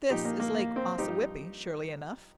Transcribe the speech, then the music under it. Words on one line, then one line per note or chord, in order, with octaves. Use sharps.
This is Lake Ossawippi surely enough.
A#1 A#2 F3 D#4 G4
A#3 D#4
A#3
A#3
C4
G2 F3 D#4 G4